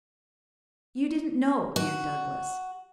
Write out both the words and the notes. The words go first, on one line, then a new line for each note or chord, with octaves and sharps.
You didn't know Anne Douglas?
F#4